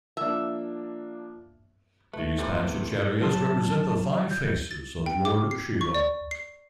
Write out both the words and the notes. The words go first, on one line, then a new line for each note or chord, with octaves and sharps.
These Panchacharyas represent the five faces of Lord Shiva.
F3 A#3 D4 E5
A3 B4
E2 A4 B4 C5 D5 C6
F#3 A5 C6
G6
A6
G5
D6
C7
C#6
D5
C7